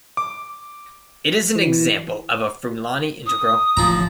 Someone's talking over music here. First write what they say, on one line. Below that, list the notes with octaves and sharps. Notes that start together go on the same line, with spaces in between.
It is an example of a Frullani integral.
D6
E3
D#6
D1 A1 F3 A#5